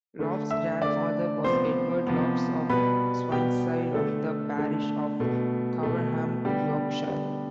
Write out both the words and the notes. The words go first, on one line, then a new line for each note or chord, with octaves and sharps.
Loftus's grandfather was Edward Loftus of Swineside, of the parish of Coverham, Yorkshire.
D3 A3
E5 E6
D3 A3 D5 D6
C3 F3 B3 C5 C6
C3 F3 B3
B2 G3 B3 B4 B5
B2 G3 B3 G4 G5
D3 A3 A4
D3 A3
B2 A3
B2 A3
D3 G3 B3 G4
D3 G3 B3